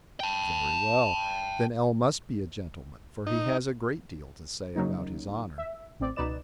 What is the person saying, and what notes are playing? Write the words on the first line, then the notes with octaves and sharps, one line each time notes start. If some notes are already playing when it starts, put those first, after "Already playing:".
"Very well; then L--must be a gentleman, for he has a great deal to say about his honour."
G5 A5
D#4
C#3 F#3 A#3 D#4
E5
A1 C4 D5
C#2 B2 D#4 B4 D5 E7